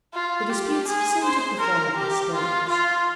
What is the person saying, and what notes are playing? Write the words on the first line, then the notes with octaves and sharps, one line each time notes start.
The disputes soon took the form of hostilities.
F4
G4
G#4
C5
A#4
G4
F4
F4